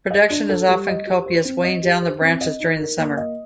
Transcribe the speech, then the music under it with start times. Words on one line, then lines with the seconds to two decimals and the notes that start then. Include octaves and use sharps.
Production is often copious, weighing down the branches during the summer.
0.10 D#5
0.30 D4
0.49 A4
0.68 G3
0.88 D#5
1.07 G4
1.26 C5
1.45 C4
1.64 D#5
1.83 G4
2.02 C5
2.21 C4
2.41 D#5
2.60 D#4
2.79 A#4
2.98 A#3
3.17 D#5